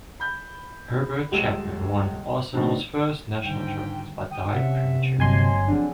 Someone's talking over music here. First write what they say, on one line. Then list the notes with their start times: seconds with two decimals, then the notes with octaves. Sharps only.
Herbert Chapman won Arsenal's first national trophies, but died prematurely.
0.20 B5 G6
1.31 D#1 C#2 G#3 G#4 E6 E7
2.53 A#1 A2 D3 C4 D4 D#4
3.44 G#2 D3 D#3 G3 G5
4.31 G5 D#6
4.53 C3 C#4 E5 F#5
5.19 G1 F3 F#3 G#3 A#3 C4 G#5 C6
5.68 D3 F3 C4 D4 G#4